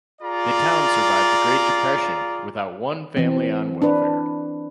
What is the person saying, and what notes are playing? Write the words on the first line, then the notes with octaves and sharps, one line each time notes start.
The town survived the Great Depression without one family on welfare.
F4 G#4 D5 A#5
E3 C4
D4 B4